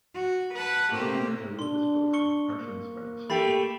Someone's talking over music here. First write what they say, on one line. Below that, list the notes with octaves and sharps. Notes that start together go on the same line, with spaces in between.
Rainer Maria Rilke's poetry partially inspired the story.
F#4
B4 F#5 A5 B5
A3 A#3 C4 G4
D4 C6 G7
C#6 C#7 G7
A#3
A3 G4 B5 A6 C7